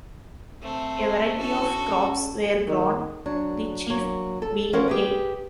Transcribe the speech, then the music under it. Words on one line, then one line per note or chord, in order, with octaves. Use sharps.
A variety of crops were grown, the chief being hay.
A3 C4
A#2 G#4 C5
E3 C#4 F#4 A4
C#4
D#3
F#3 D4
F#3 A#3
A4
E3 F3 C#4 A#4 C5 F#5
G4 G#4 B4